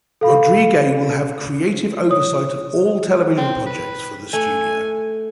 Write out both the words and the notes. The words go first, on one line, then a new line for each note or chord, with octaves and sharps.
Rodrigue will have creative oversight of all television projects for the studio.
A4 F5 B5
C#5 D#6
C4
B4
A3 G#5